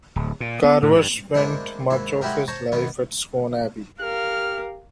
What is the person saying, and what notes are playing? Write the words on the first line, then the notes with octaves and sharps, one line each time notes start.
Carver spent much of his life at Scone Abbey.
D1
A#2
B3
A2
G2
G#3 A#3 D4 E4 C5
D#2 G#2 E4
F#3 G#3 E4 F#4 G4 A#4
C5 C#5 A5 A#5 C#6
B1 F#2 D#3 B3 C#5
G4 A#4 F5 F6